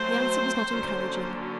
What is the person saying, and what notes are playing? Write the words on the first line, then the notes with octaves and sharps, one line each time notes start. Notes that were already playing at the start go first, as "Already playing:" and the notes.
The answer was not encouraging.
Already playing: F#3 A3 C4 C5
D3 F#3 A#3 C#4